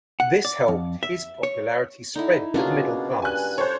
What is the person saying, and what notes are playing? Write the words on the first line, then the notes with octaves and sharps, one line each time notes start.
This helped his popularity spread to the middle class.
F#5
D5
F2
E5
C#5
D3 D#4 E4
B2 C#4 D4 F4 F#4 G#4 A#4
G2 G#5 F#6
A4 C5 C#5